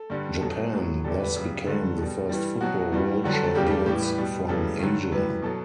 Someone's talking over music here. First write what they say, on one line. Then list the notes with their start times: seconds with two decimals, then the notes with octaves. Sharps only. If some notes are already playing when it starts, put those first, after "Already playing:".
Japan thus became the first football world champions from Asia.
Already playing: A4
0.10 G2 D3 G3
0.41 B2 F#3 A4
0.73 A2 F#3
1.04 E2 D3 G3 A4
1.20 B4
1.36 F#2 C#3 G3 B4
1.66 G2 D3 F#3 A4
1.98 B2 G3
2.29 G2 E3 G3
2.61 B2 F#3 F#4
2.92 G2 E3 G3
3.24 G2 D3 F#3 F#4
3.33 A4
3.44 A4
3.54 E2 C#3 G3 G4
3.67 G4
3.71 A4
3.86 A2 E3 G3 G4
4.02 B4
4.18 B2 G3
4.48 F#2 C#3 E3 G3 A4
4.80 G2 D3 F#3
5.12 F#2 E3 G3 B4
5.42 B2 F#3 A4